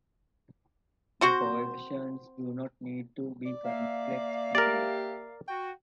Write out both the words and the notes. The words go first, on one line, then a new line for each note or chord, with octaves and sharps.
The coefficients do not need to be complex numbers.
C4 F#4 C5
D5
A#3 E5 F5
G4 A#4 D5
F#4 G5